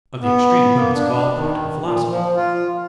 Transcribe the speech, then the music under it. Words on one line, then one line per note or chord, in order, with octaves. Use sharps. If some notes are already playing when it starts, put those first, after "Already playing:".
Of the Extreme Limits of all Practical Philosophy.
B3
A#3
D4
D4
D#3
A#2
F3
F4